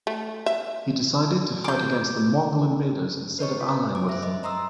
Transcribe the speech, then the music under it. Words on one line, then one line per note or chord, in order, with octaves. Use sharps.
He decided to fight against the Mongol invaders instead of allying with them.
A3
E5
D6 G6
B4 C#5 D#5 C#6
F4
D6
C5 E5
D#5 D6
D#5 A#5 C6 D#6 E6